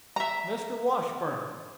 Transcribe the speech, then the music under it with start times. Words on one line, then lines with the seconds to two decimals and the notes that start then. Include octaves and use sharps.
"Mr. Washburn!"
0.16 E5 A#5